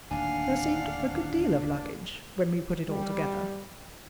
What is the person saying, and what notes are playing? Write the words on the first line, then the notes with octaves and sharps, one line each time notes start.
There seemed a good deal of luggage, when we put it all together.
D1 D#2 D4 F5 F#5 G#5
G3